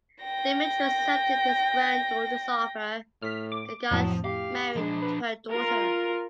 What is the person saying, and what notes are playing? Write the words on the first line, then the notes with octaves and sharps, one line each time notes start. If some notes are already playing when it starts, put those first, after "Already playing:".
Demetrius accepted his granddaughter’s offer and got married to her daughter.
G5 A#6
A2 F6 B6
D6
F2 A2 F3 F#3
G4 F5
F3 G#3 D4
B4
F4 A#4